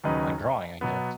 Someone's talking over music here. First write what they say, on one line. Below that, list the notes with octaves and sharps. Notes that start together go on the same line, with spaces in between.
Like, drawing, I guess.
D#2 C#3 F#3 D#4 B4
B2 F#3 B3